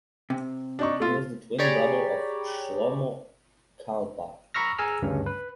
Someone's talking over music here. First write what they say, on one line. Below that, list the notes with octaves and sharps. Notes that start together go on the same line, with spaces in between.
He was the twin brother of Shlomo Carlebach.
C3
D4 D#4 C#6
A3 F4
G4 G#4 C#5 D5 A#5 B5
A#5 B5 C#6 E6 F6 A#6
G#4 G#5 A#5 E6 F6
D2 G2 C#3 C#4
B4